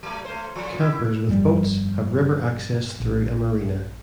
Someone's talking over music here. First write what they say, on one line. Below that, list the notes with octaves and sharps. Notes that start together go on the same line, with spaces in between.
Campers with boats have river access through a marina.
F#3 A3
A3 C5
F3
E4 G4
G1 F2 A#2 G3
A#1